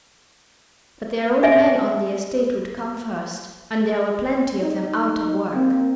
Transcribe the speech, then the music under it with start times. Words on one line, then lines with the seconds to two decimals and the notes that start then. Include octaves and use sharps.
But their own men on the estate would come first, and there were plenty of them out of work.
1.43 D#5 E5 G#5
4.61 D#4
5.55 A#3 C4